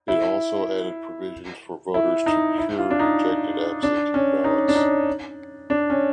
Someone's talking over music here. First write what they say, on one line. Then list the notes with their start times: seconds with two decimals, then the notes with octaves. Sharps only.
It also added provisions for voters to "cure" rejected absentee ballots.
0.08 E4
1.94 E4
2.26 D#4
2.58 E4
2.78 F4
2.90 D4
2.99 D#4
3.83 D4
4.14 C#4
4.44 D#4
4.68 D4
4.75 D#4
5.70 D4
5.90 C#4